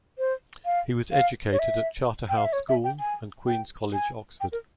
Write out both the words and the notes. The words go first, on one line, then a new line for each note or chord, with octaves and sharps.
He was educated at Charterhouse School and Queen's College, Oxford.
C5
F5
F5
C#5
E5
G5
F5
E5
C#5
E5
G5
G#5
G5
G#5
G5
A#4